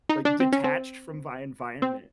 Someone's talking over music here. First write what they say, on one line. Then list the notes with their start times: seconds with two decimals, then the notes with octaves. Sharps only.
like, detached from my environment.
0.09 D#4
0.25 D4
0.40 C4
0.52 C#4
0.64 C4
1.82 C4